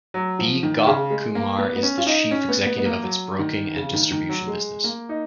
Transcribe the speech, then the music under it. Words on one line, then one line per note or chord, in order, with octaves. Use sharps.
B Gopkumar is the Chief Executive of its broking and distribution business.
F#3
F3
D#3
C#3
G#3
A#3
B3
B3
C#4
F4
D#4
C#4
B3
B3
B3
A#3
F#3
D#3
C#3
D#3
D#3
F#3
G#3
A#3
D#4